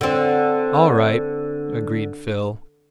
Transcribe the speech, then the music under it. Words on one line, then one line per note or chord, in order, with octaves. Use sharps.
"All right," agreed Phil.
D3 C4